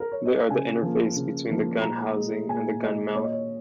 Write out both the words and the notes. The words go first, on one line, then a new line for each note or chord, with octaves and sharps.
They are the interface between the gun housing and the gun mount.
A#4
C#5
D#5
F5
C#3 G#5
F3 A#3
C#3
F3 A#3
A#2 A#5
G#3
A#2 G#5
G#3 D#5
A#2 C#5
D#5
C#5